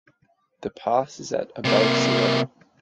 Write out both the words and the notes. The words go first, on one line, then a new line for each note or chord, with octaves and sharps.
The pass is at above sea level.
C3 A#3